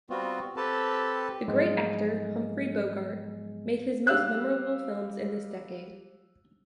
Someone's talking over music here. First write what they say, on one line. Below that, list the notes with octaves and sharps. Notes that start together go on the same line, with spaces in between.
The great actor Humphrey Bogart made his most memorable films in this decade.
G3 B3 C4 F4 F#4
C4 G4 A4 B4 A5
G#2 F3 F#3 G#3 B3
G3 G4 F5 E6 F#6